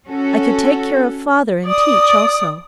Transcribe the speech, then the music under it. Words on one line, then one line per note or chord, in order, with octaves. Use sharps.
I could take care of father and teach also.
C#4 F#4 A4
D5 D#6